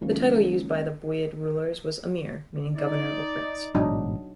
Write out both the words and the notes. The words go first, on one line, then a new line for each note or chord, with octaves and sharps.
The title used by the Buyid rulers was "amir", meaning "governor" or "prince".
C#2 D#3 F#3 A#3 C#4
D#4 D5
A1 G#2 B2 F#3 D4 D#4